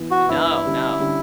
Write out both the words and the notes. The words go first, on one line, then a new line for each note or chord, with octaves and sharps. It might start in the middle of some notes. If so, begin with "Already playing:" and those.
No, no.
Already playing: E3 B3
F#4
G2 E3 B3 E4
D3 G3 C#4
D3 G3 C#4